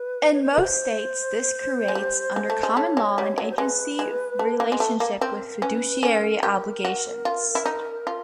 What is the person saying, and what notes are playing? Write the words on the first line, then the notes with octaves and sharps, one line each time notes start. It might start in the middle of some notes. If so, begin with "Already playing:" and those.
In most states this creates, under common law, an agency relationship with fiduciary obligations.
Already playing: B4
C#5
C5
B4
C5
G#3
G3
G#3
A3
G#3
A3 C#5
G#3
G3
F#3
C#5
C5
G#3 B4
G#3
A3
A#3
G#3
A3
A#3
C4 A#4
C#4 B4
C#4 A#4
G4 A#4
F#4
F4
E4
D#4
F4